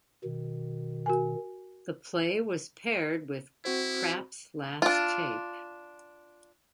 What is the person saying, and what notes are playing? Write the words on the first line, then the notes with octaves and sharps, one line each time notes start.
The play was paired with "Krapp's Last Tape".
B2 D#3
F#4 A#4 G#5
C4 E4 F#4 C5
D4 F4